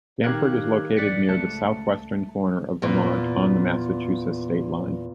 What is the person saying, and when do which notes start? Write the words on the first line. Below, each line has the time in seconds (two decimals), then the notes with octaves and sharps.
Stamford is located near the southwestern corner of Vermont, on the Massachusetts state line.
0.23 D#3 G4 A#4 F5 F#6 G#6
0.97 A1 D5 F#6 A6 B6 C#7
1.28 C#2 A3 A5 C#7
2.82 E2 A#2